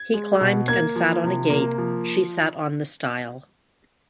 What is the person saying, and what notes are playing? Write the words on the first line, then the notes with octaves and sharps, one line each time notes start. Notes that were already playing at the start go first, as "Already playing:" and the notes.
He climbed and sat on a gate, she sat on the stile.
Already playing: G#6
G#3
B2
A#3 G#6
F3
C3
A#3
F3